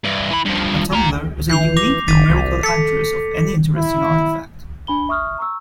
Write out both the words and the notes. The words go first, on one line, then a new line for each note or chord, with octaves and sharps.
A tumbler is a unique numerical address of any interesting artifact.
G2 E3
E3 B5
G2 F3
F4 A#5
E3 G6 C7 F7
D6 A#6 F7
F#1 A6 B6 D#7
C2
A4 B6 C#7
E4
D4 B5 G7
E5 C#6 D#6 F6
A#5 C#6 E6